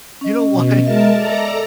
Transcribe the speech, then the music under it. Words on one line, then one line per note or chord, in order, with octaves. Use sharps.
You know what?
C#4 D#5
B2
G#3 A#4 D#5 E5 A5
A4 D5 A#5